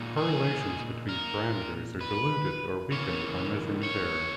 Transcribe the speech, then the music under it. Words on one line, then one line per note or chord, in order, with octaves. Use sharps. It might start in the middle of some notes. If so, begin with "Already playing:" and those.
Correlations between parameters are diluted or weakened by measurement error.
Already playing: A#2 G#3 D#4
G#4
A#4
B4
C#3 E3 A#3 C#4 C#5
C#5